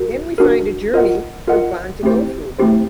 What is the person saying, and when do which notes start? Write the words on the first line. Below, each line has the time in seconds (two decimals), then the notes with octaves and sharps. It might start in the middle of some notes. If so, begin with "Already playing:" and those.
Then we find a journey for Bond to go through.
Already playing: F#4 A#4
0.38 D4 F#4 A#4
0.94 F4 A#4 D#5 F#5
1.47 F4 A#4 D#5 F#5
2.03 A3 C4 E4 G4 C5
2.59 A3 C4 E4 G4 C5